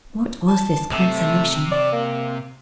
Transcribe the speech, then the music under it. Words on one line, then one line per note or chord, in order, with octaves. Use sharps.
What was this consolation?
A5
C3 A3
D5
A#3